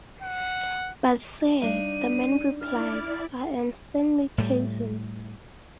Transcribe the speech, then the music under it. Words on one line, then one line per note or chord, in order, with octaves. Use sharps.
"But, sir," the man replied, "I "am" Stanley Casson".
F#5
G3 D4 D#4 D#7
E4 D5 F6
A2 G3